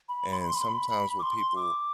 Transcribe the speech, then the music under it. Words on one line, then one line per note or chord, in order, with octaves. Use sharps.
And sometimes with people,
B5
B5
C6
B5
C6
B5
C6
B5
B5
D6
C6
C6
D6